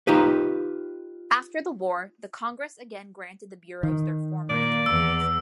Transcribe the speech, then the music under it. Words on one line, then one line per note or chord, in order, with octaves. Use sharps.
After the war, the Congress again granted the bureaus their former independence.
D#4 F4 G4 B4
D#3
A#2 A#3 D5
E2 E6